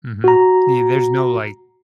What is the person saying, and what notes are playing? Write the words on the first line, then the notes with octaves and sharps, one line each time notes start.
mhm, yeah, there's no, like
F#4 A#5